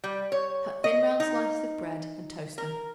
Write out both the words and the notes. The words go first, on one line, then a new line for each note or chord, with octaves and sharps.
Cut thin round slices of bread and toast them.
G3
C#5
D#5
D#4
A#4